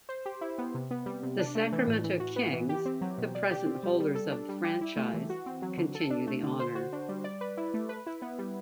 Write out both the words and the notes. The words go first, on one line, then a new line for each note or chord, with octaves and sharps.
The Sacramento Kings, the present holders of the franchise, continue the honor.
C5
G4
E4
B3
C3
B3
G3
C3
D4
A3
E3
A2
E3
F#4
B3
E3
G4
C4
F#3
B2
D5
G4
C4
G3
G3
A4
D4
G3
G4
E4
A3
E3
F#4
C4
F#3
D3
A4
D4
A3
D3
C5
F#4
D4
G3
D5
B4
E4
A3
B4
E4
B3
G3